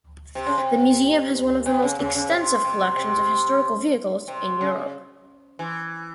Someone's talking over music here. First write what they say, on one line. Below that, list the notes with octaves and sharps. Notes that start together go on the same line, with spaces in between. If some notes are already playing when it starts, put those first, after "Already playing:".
The museum has one of the most extensive collections of historical vehicles in Europe.
C3
C#3
C3
C3
C#3
C#3
C#3
C3
C3
C3
C3
C#3
E3